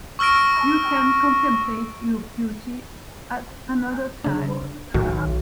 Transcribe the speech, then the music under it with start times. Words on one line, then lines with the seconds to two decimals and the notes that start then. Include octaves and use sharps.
You can contemplate your beauty at another time.
0.19 C#6 E6 F6 A#6 D7
4.24 C#3 D4
4.94 B1 A2 D#3 F#4